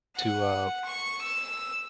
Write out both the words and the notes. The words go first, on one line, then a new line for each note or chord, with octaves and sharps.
to, uh,
F#5
C#6
E6